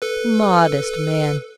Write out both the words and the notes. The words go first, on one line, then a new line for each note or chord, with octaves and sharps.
'Modest man!
A4 B4